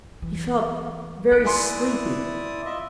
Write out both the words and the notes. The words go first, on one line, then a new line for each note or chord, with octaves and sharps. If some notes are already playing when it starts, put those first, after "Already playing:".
He felt very sleepy.
E3
D#3 F#6 C#7 D7
E4 D5 G#5 C6 D#6 C#7
F4 D#5 E5